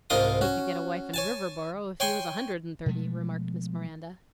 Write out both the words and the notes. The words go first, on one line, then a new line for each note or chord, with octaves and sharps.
"He could get a wife in Riverboro if he was a hundred and thirty," remarked Miss Miranda.
C2 G#2 F4 A#4 C6 D#6
C#4 F#4
C#5 G#5 A5
C#5 G5 G#5 C6 C#6
B2 F3 G#3 A3